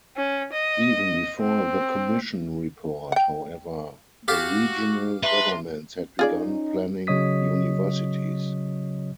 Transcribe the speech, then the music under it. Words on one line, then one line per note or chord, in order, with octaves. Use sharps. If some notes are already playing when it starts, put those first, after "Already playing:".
Even before the Commission report, however, the regional governments had begun planning universities.
C#4
D#5
C4
F#5 G5
F#4 G4 F5 G6 A6 B6
D4 B4 E5 A#5 C6
C#4 D#4 F4 G#4 D5
C#3 F#3 C#5 D#5 D#6 B6